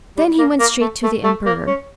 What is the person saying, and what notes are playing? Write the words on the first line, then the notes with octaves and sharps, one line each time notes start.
Then he went straight to the emperor.
G3
A#3
A#3
A3
A3
A3
A#3
C#4